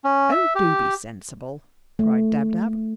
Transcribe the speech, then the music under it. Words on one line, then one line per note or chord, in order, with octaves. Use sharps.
"Oh, do be sensible!" cried Dab-Dab.
C#4
E5
G4
A3